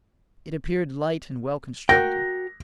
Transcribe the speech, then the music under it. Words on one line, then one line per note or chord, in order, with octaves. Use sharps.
"It appeared light and well constructed."
F#4 A#4 G5 A#6